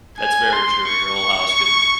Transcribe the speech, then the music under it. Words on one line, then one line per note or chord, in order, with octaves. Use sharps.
That's very true, your whole house could
G#5
C6
C#6